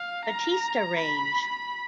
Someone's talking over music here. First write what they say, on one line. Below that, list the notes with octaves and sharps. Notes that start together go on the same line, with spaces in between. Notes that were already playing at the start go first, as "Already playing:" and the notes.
Batista range.
Already playing: F5
A#5
B5